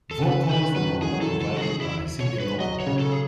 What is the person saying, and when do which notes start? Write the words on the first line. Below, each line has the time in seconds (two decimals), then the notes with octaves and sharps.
Vocals were provided by Cyndi Lauper.
0.11 A4
0.23 C#3 B4
0.43 A4
0.49 D#3 B4
0.76 F#3 B4
1.02 E3 G#4
1.13 F#3
1.21 E3 A4
1.42 A4
1.56 F#4
1.61 G#4
1.81 E4
2.20 C#5
2.40 B4
2.60 F#3 D#5
2.80 C#5
2.87 C#3
2.99 A4
3.12 G#4